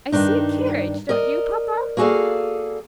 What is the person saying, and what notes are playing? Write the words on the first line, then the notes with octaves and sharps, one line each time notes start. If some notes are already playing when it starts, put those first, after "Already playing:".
"I see a carriage; don't you, papa?"
G2 D#3 D4 D#4
A#4 D5 D#5
A#3 F#4 G#4 A4 D5 F5